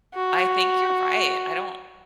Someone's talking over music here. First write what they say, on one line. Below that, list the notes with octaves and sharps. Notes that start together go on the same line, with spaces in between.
I think you're right, I don't
F#4